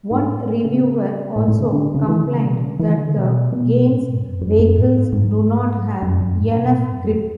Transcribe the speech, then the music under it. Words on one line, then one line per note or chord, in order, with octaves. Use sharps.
One reviewer also complained that the game's vehicles do not have enough grip.
G#2
A2
C#3
A2
A2
D3
D3
C#3
D3
E3
C#3
B2
C#3
D3
E3
D3
B2
B2
A2
B2
G#2
F#2
F#2
F#2
A2
G#2
G#2
F#2
F#2
G#2
B2
A2
F#2
E2